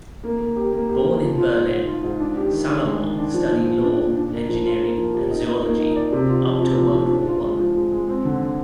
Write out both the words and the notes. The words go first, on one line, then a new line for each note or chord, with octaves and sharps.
Born in Berlin, Salomon studied law, engineering, and zoology up to World War One.
A#3
A#3
G4
A#3
G4
A#3
F3
F4
G#2
G#2
F4
G#2
D4
G4
D#3
D4
G#3
D#3
D4
F3
A#2
F3
D4
A#2
D4
A#3
F3
F4
A#3
F3
G4
D#4
D#4
A#3
D#4
D5
C3
F4
F3
C3
F3
F3
D4
F4
G#3
F3
G#3
G#3
C4
D3
D3